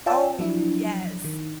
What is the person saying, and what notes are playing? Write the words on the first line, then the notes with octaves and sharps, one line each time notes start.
Oh, yes.
F4 C#5 D5 G5 A5 E6
F3 F#3 D4 E4
D#3